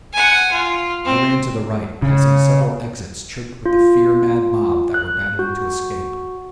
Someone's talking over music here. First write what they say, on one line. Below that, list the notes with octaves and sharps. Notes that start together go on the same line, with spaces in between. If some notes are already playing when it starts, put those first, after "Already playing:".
I ran to the right, passing several exits choked with the fear mad mob that were battling to escape.
F#5 G#5
F4
C4
C#3
F4
F#6
F#4